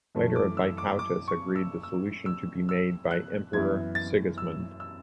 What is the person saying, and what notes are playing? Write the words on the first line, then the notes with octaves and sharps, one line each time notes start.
Later Vytautas agreed the solution to be made by Emperor Sigismund.
F#2 E3 A3
D6
E6
D6
D6
C#6
E6
E6
E6
E6
F#6
F#2 E3 B3 E4 G#6
A6
E6
E6